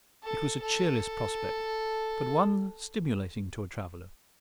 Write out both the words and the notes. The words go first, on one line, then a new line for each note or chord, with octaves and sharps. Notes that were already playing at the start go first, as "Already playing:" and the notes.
It was a cheerless prospect, but one stimulating to a traveller.
A4
A4